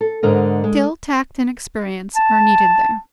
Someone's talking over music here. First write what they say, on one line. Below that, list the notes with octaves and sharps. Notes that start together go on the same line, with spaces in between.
Skill, tact, and experience are needed there.
A4
G#2 D3 A#4 D#5
G#3
A5